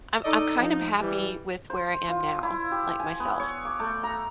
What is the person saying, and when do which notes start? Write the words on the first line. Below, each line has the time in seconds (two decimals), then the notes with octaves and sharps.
I'm I'm kind of happy with where I am now, like myself."
0.24 D#4 A4 D5 D#5
0.58 F3 D#4
0.99 E3 G3
1.70 C5
2.09 F4
2.43 E4
2.71 G4
3.00 G#5
3.20 B3
3.40 C#5
3.65 D6
3.79 A3
4.03 A#5